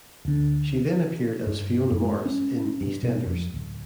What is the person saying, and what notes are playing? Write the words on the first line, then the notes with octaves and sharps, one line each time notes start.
She then appeared as Fiona Morris in "EastEnders".
D2 D3
G2
F#2
G#3
C#4
G2
B2
F2
D1